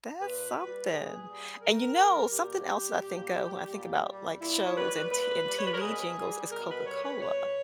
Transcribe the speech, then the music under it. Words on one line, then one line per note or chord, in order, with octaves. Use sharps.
That's something, and, you know, something else that I think of when I think about, like, shows and T and TV jingles, is Coca-Cola
A#2 B4
G3 B4
A#2 G#4
G3
A#2 A#4
G3
A#2 G4
G3
A#2
G3
A#2
G3
A#2 E4
C#5
G3 B4
A#2 B4
G3
C#5
B4
A#4
B2 G#4
G3
B2 A#4
B4
G3 C#5
B4
B2 C#5